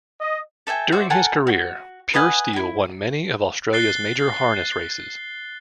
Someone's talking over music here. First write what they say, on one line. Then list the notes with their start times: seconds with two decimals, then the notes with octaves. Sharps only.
During his career, Pure Steel won many of Australia's major harness races.
0.20 D#5
0.67 A4 E5 G5 G#5
0.92 F#4 C5 D5 E5
1.10 A4 A#4 F#5 G#5
1.47 F#4
2.14 B4 D#5 F#5 G#5
2.53 E4 F#4
3.73 F#6 A6 C7 G7